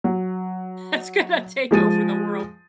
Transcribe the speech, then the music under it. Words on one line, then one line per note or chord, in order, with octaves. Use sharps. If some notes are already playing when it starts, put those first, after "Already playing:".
It's gonna take over the world.
F#3
F3 G#3 A6 D#7